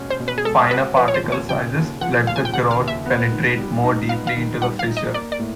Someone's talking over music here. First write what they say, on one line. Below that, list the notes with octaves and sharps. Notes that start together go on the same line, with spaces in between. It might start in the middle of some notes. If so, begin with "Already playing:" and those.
Finer particle sizes let the grout penetrate more deeply into a fissure.
Already playing: B2 G#3 C#4 F#4
C5
B2
B4
G#4
G#3 A4
F#4 B4
F3 B4
C#5
C5
D#2
C#5
C#3 G5
D#2
F3 F#5
D#2 F5
G#5
G5
C#3 F#5
F5
D#2
E5
B3
D#3
G3
D#4
B3 F5
F5
D#3
G3 F#5
F5
D#4
D#5
A#3 D5
D5
A2